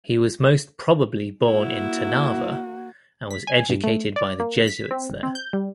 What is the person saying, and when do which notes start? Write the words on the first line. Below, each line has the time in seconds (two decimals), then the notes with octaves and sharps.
He was most probably born in Trnava and was educated by the Jesuits there.
1.48 A#3 E4 F#4
3.31 B6
3.47 G#5
3.70 G2
3.84 A3
4.16 D5
4.40 A#3
4.67 B6
4.91 C4
5.10 G1
5.23 C4
5.35 G6
5.53 G3